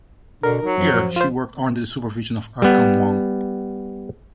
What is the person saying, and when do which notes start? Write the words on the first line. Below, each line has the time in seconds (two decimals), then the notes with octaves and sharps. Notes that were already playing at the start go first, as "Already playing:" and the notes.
Here she worked under the supervision of Erkang Wang.
0.43 B2 D3 A#4
0.62 F#3 D#4
0.78 F#2 F3
1.16 F4 C5
2.62 G3 B3